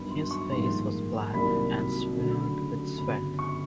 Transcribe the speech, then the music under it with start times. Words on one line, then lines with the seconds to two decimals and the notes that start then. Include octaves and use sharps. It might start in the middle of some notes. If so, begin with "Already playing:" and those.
His face was black, and smeared with sweat.
Already playing: G2 D#3 F#3 B3 B5
0.11 C6
0.31 C#6
0.51 A#1 G#2 D#3 G3 A#3 C6
1.33 C2 C3 D#3 F#3 A#3 B5
2.16 D2 C#3 F#3 A3 D4
2.98 G1 F#2 C#3 B5
3.39 C#6